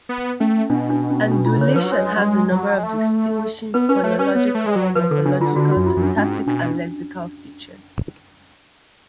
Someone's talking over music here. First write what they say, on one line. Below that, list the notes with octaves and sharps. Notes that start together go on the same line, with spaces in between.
Andalusian has a number of distinguishing phonological, morphological, syntactic and lexical features.
B3
A3 C#4
B2 D4
D4
C#4
D4
F4
C#3
C#5
D3
F3 B4
F#3
G#3 C#5
F#3
G#3
F#3
G#3
A3
B3 B4
C#4 B4
A3 C#5
C#4 B4
B3 C#5
A3
G#3
F#3
F3 B4
D3 A4
C#3 D4
D3 F4
D3 F#4
F#4
F#2
F4
F#2
D4
G#2 C#4
B2 D4